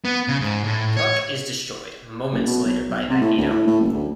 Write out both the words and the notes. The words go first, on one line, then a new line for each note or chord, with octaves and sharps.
Puck is destroyed moments later by Magneto.
B3
C#3
G#2
A2
C#5
F#1
B2
B1
B1
C3
A2
D2
A2
A2
F#1
D2